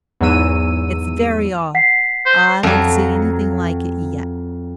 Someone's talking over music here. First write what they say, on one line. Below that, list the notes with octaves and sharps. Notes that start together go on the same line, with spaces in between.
It's very odd; I don't see anything like it yet.'
E2 G#2 F#3 E6 D#7
F#5 B6 C7
C5
F2 F#3